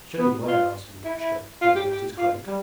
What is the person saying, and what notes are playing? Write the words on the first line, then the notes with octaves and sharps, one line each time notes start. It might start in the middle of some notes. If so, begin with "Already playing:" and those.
'Showed him where,' answered Lukashka, spreading out his cloak.
B3
F4
E4
E4
F4
G4
G4
F4
G3